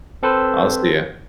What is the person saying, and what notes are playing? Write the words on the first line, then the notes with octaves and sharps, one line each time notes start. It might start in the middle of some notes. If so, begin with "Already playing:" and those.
I'll see ya.
C4 A4 B4 C5